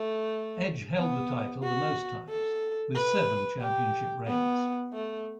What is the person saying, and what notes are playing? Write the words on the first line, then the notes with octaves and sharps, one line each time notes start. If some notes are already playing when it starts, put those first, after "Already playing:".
Edge held the title the most times with seven championship reigns.
Already playing: A3
B3
F#4
A4
B4
G4
B3
A3